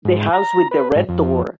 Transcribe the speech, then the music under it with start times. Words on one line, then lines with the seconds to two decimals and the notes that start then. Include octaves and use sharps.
The house with the red door.
0.05 G#2
0.33 A#5
0.71 B4
0.96 G#2
1.09 F2